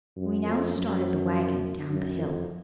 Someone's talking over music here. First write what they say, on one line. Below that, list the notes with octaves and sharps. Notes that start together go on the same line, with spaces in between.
We now started the wagon down the hill.
F#2
F2
F#2
F#2
F2